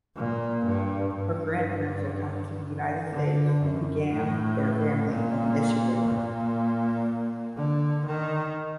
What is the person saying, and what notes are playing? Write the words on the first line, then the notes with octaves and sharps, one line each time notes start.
Her grandparents had come to the United States and began their family in Michigan.
A#2
G2
G2
D3
F#2
A2
A#2
A#2
D3
D#3